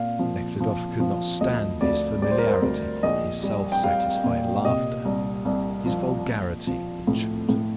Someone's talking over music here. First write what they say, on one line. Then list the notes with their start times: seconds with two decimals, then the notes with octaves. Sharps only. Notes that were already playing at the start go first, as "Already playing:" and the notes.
Nekhludoff could not stand his familiarity, his self-satisfied laughter, his vulgarity, in short.
Already playing: A#2 F5
0.19 F3
0.60 F3
1.00 F3
1.41 D2 D#5
1.81 D2 D5
2.22 G3 D5
2.31 C5
2.38 A#4
2.48 C5
2.62 D2
3.03 A#1 D#5
3.43 G3
3.72 G5
3.84 G3 F5
4.24 A#2
4.65 C3 D#5
5.05 C2
5.45 C2
5.86 F3
6.27 A#1
6.67 F3
7.07 A2
7.49 A2